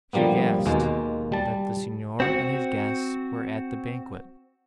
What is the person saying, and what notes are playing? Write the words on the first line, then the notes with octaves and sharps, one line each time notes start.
She guessed, that the Signor and his guests were at the banquet.
D3 F3 G3 A#3 B3
D#2 B2 G#3 A#3
G3 A5
C4 F#4